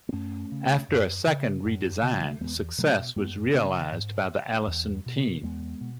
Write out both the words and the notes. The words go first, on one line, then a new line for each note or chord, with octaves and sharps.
After a second redesign, success was realized by the Allison team.
B3
F#2 A3 C#4
C#3
F#2
C#3
F#2
C#3
F#3
G#3
A3
E2 G#3 B3
B2 F#3 A3
F#2 G#3 B3
B3
C#3 A3 C#4
G#2
E2
B2
E2 G#3 B3
B2